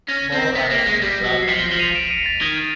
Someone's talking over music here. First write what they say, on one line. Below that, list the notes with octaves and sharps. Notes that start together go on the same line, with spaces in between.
Small eyes with round pupils.
C#4 A#6
C4
A#6
B3 B6
A#3
G#3
G3
F#3
C7
F3 B6 C#7
B6 C#7
F3
D#7 F7
D7 E7
C#7 D#7
A6
D#3 G#6